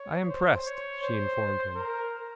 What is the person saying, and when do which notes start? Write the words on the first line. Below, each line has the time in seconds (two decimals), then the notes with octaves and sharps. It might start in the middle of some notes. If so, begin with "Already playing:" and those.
"I am pressed," she informed him.
Already playing: C#5
0.30 C5
0.66 C#5
1.03 C5
1.75 A#4